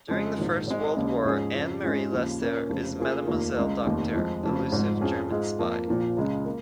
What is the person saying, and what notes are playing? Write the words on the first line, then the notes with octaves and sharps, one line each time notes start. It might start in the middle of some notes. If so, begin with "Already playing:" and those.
During the First World War, Anne-Marie Lesser is Mademoiselle Docteur, elusive German spy.
F2 C#3 G#3
A#1 G#2 D#3
G#1 G#2 G#3
D#2 C#3 G#3 C#4
G#2 F3 C#4 G#4
F2 C#3 F3
G#2 G#3 C#4 F4 G#4
D#2 C#3 F3
A#2 A#3 C#4 A#4
F1 F2 C#3
C#3 A#3 F4 G#4
F1 D#2 D#3 A#3 F4
C#2 C#3 G#3
F1 D#2 D#3
F2 F3 G#3
F1 F2 C#3
G#1 G#2 F3
F2 F3 C#4 F4 G#4
G#2 G#3 F4 G#4
F2 F3 A#3
A#1 A#2 F3
C#2 C#3 G#3
A#3